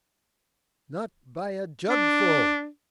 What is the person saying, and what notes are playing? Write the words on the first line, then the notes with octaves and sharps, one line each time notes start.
"Not by a jugfull!"
D4